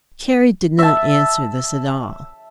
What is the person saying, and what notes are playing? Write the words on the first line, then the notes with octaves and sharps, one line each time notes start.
Carrie did not answer this at all.
E5 A5